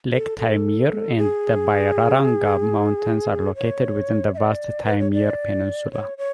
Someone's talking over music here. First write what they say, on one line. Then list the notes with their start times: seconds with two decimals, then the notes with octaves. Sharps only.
Lake Taymyr and the Byrranga Mountains are located within the vast Taymyr Peninsula.
0.12 A4
0.39 A4
1.17 G#4
3.55 C#5
4.34 E5
4.38 D5
4.85 B4
4.99 C#5
5.12 D5
5.92 C#5
6.18 C#5